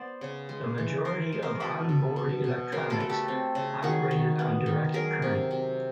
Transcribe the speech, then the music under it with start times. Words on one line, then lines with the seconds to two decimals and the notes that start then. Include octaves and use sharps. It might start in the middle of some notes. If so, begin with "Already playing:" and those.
The majority of onboard electronics operated on direct current.
Already playing: B3 C5 D5
0.21 C#3
0.49 G#3
0.78 E3
1.05 E3 A#4 C5
1.32 G#3
1.42 A#4 C5
1.60 B2 A4 B4
1.89 B2
2.16 B2
2.44 B2
2.72 C#3 A#4 C5
2.90 A4 B4
3.00 A3
3.09 G4 A4
3.28 C4
3.55 C#3
3.83 D#3 F#4 G#4
4.11 D#3
4.39 B3
4.66 D#3
4.94 F#3 G#4 A#4
5.22 C3
5.51 C3